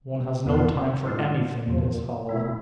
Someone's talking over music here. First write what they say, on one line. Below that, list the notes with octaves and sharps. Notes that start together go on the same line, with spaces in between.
"One has no time for anything in this hovel!"
E2 B2 B3 F4
A2 G#3 D4 F4
E2 C3 F3
B2 A3 E4